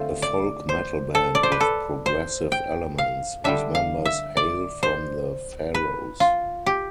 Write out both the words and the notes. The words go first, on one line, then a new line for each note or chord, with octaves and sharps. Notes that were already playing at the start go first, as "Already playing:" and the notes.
A folk metal band with progressive elements, whose members hail from the Faroes.
Already playing: D3 A3 C4 F4
D5
C5
A4
D5
C5
B4
A4
C5
G5
F5
D3 G3 D4 E5
F5
E5
D5
C5
B4
F4
G4